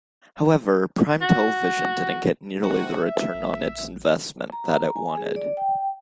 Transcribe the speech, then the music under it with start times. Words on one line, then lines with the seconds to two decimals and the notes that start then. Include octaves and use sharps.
However, Prime Television didn't get nearly the return on its investment that it wanted.
1.21 F#4
2.62 C3 F#4
3.02 E5
3.34 A#1
4.52 A#5
4.96 G#5
5.17 G#4
5.36 D5
5.57 G5